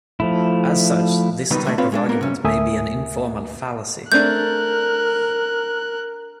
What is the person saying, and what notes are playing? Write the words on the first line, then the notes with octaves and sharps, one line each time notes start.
As such, this type of argument may be an informal fallacy.
F3 A3 E4
C#2 B2 D#3 G3 D#4 B4
D3 F#3 A3
C4 F4 B4 C#5 F5
G#3 C#4 D4
A#3 B3 A#4
C3 C#4
D2 A3 A#4 E5 G#5 D#6
A3 C4 D4 A#4 F#6 G6